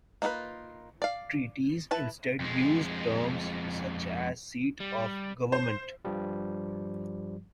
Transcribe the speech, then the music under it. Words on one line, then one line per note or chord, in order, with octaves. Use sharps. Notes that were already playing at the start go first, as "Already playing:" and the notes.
Treaties instead used terms such as seat of government.
A#3 D#4 F4 A4 B4
D5 F5
E4 B4 A5
F2 G#3
G3
C5
G2 F3 G3